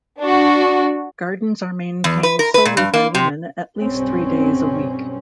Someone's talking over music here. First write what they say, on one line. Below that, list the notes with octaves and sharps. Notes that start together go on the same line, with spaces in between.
Gardens are maintained solely by women, at least three days a week.
D4 F#4
E2
B4
A#4
B4
A#2
G2
A#3
C3
B1 G2 C4 C#4